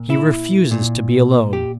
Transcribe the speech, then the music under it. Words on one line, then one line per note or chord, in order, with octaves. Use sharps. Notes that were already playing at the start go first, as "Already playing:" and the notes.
He refuses to be alone.
Already playing: A#2
E4
A#2
G4